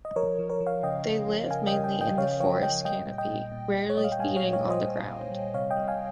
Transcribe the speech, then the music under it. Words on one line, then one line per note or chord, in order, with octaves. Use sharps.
They live mainly in the forest canopy, rarely feeding on the ground.
D#5
F3 A#4 C#5
F3
A#4 C#5
F3
C#5 F5
C#3 D#5 G5
C#3
F3
C#3 F5 G#5
D#5 G5
C#3
D#5 G5
F3
D#5 G5
C#3 C#5 F5
F3 C#5 F5
F3 D#5 G5
G3 D#5 G5
A#2
D#5 G5
A#2
A#2
A#2
C#5
G3 D#5
F5
G5
G3 F5 G#5
C#5 F5
A#2
C#5 F5
G3
C5 D#5
A#2
A#2
G3
C3 C#5 F5
D#5 G5
G3
F5 G#5